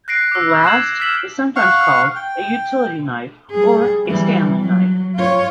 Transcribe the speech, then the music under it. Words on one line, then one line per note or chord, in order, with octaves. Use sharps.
The last is sometimes called a utility knife or a Stanley knife.
F#6 A#6 C7 D7
D6 E6
G6 G#6 C7 E7 F#7
E6 F6 B6 E7 F#7
F5 F#5 C#6
G5
G3 G#4
E3 G3
F#3
F4 C#5